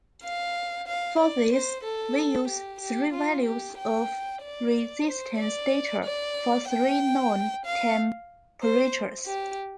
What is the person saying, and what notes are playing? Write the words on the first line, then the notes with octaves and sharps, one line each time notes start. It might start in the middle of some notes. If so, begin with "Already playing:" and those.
For this, we use three values of resistance data for three known temperatures.
F5
F5
D5
C5
A4
G4
G4
F4
G4
G5
D5
C5
D5
D5
G5
F5
C5
G4